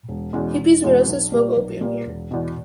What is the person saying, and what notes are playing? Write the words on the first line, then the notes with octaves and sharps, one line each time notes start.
Hippies would also smoke opium here.
E1
E2 B2 G#3 C#4
E1
E2 B2 G#3 C#4
B1
A#2 G3 A#3
B1
A#2 G3 A#3
E1
E2 B2